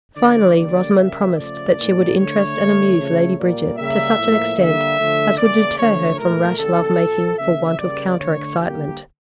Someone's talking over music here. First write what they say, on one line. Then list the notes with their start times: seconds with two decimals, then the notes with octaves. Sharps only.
Finally, Rosamond promised that she would interest and amuse Lady Bridget to such an extent as would deter her from rash love-making for want of counter excitement.
0.16 D3 F3 A3 D5
0.56 D3 G3 A#3 D5
0.96 C#3 G3 A#3 E5
1.36 C#3 F3 A3 D5
1.77 A2 E3 A#3
2.17 D3 A3 C#5
2.57 D3 A3
2.97 C#3 F3 A3
3.37 A#2 G3 A#3 D5
3.77 C#3 G3 A#3 E5
4.17 A2 F3 A#3
4.57 D3 G3 A#3 E5
4.98 D3 F3 A3
5.38 C#3 E3 A#3 D5
5.78 D3 F3 A3 C#5
6.18 A#2 A3 A#4
6.58 C#3 E3 G3 A#3 A4
6.98 A#2 F3 A#3
7.38 C#3 F3 A#3 E5
7.78 C#3 G3 A#3 D5
8.18 D3 A3 C#5
8.58 D3 G3 A#3 G4